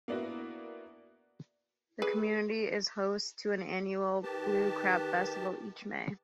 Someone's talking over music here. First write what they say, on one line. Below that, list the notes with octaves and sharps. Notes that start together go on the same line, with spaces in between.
The community is host to an annual Blue Crab Festival each May.
A#3 B3 D4 E4 F#4
G#4 B4 D5
D#3 G4 B4 A5